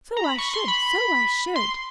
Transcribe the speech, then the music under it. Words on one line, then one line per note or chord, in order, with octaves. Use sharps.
So I should! so I should!
A#5
B5
C#6
C6
B5
C6